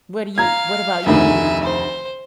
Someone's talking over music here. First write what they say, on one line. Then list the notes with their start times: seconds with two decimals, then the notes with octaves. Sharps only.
What do you what about you?
0.38 F5 A#5 G#6
1.06 F1 D2 D#3 E5 G#5
1.64 C5